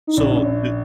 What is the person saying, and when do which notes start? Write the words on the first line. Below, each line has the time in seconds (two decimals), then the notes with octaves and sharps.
so the
0.07 D#4
0.17 A#1 C#4
0.35 C#4